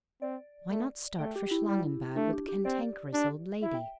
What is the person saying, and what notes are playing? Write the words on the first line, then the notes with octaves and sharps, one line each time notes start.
Why not start for Schlangenbad with the Cantankerous Old Lady?
C4 D5
A3
A3 G5
G4
E4
G3
A3 D4
G4
G4
C4 D5
D4
E4 E5
G5